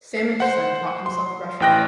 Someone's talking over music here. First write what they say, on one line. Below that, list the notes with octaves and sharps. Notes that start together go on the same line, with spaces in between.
Samachson taught himself Russian.
C7
C5 F#5
C6
A1 E3 G5 F#6 A#6